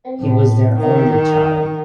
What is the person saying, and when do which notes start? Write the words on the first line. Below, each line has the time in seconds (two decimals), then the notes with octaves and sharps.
He was their only child.
0.21 A2
0.79 D#3